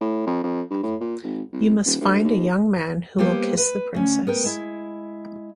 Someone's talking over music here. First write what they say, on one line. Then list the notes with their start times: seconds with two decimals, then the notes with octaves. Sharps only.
You must find a young man who will kiss the princess.
0.01 A2
0.27 F2
0.44 F2
0.70 G2
0.83 A2
1.01 A#2
1.23 G#1
1.52 C2
1.85 D#1
2.00 D2
2.25 D#2
3.18 G3 A#3 B3 G4 C5
3.57 B4
3.95 D2 C#4
4.27 B3 A#4 G5
4.44 G#3 E4